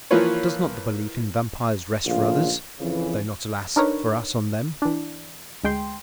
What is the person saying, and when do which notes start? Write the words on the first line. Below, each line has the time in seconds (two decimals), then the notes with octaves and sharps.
Does not the belief in vampires rest for others--though not, alas! for us--on them?
0.11 E3 F3 A#3 F4 B4 C#5
2.06 A#1 A2 C#3 F4 F5
2.80 F2 C#3 E3
3.76 D4 D#4 A#4 B4 C#5
4.82 E3 D4
5.64 D2 G#3 G5 C6